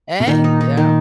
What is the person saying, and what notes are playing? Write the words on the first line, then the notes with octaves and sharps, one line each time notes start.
Hey, yeah.
B2
A#2 D#3
D#4
D#4
D#3